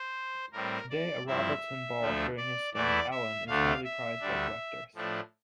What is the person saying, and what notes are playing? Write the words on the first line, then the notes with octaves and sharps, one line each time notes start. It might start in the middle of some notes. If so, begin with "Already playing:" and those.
Today a Robertson ball carrying his stamp "Allan" is highly prized by collectors.
Already playing: C5
A2 G3 C4 A#4
D5
G2 F3 C4 E4 E5
D2 D3 F3 A3
D5
E2 E3 A3 E4 D5
E5
D2 D3 A3 D4 F5
E5
D2 D3 G3 D4
A2 F3 A3 D4